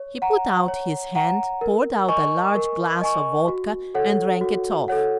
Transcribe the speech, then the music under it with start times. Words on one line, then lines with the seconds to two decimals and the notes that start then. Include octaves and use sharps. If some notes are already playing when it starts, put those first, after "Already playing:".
He put out his hand, poured out a large glass of vodka and drank it off.
Already playing: C#5
0.22 F#5 A#5
0.68 C#5
1.15 F#5 A#5
1.61 A#4
2.08 D#5 G#5 C#6
2.55 A#4
3.02 D#5 G#5 C#6
3.48 F#4
3.95 A4 C#5 F#5
4.41 F#4
4.88 A4 C#5 F#5